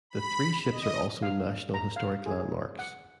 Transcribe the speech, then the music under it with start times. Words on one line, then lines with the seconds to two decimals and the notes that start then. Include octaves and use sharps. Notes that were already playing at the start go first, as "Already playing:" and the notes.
The three ships are also National Historic Landmarks.
0.10 B5
0.71 D#5
1.22 F5
1.74 A#5
1.96 F5
2.26 G#4
2.79 F#5